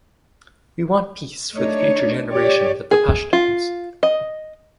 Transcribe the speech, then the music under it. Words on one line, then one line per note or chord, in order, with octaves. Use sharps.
We want peace for the future generations of the Pashtuns.
A3 D4 D#4 C#5
G4 C#5 D5
G#4
F4
D#5